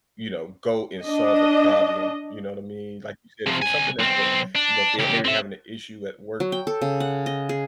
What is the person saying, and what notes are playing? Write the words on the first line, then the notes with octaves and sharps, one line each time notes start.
you know, go and solve a problem, you know what I mean, like you said," if it's something that's uh," you know, if they're maybe having an issue at work,
D4 D#5
C3 F3
C2 G#5
B1 C4
D4
C#2 G4
C4 E5
F#3
G5
A4
C#3
F#5
D#5
G#4